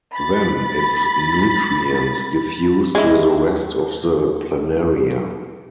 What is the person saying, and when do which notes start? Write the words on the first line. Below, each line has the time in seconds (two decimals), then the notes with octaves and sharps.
Then its nutrients diffuse to the rest of the planaria.
0.14 B5 A6
2.95 G#3 E4